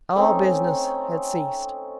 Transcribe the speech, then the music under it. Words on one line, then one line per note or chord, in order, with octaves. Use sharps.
All business had ceased.
A3 C4 C#4 D#4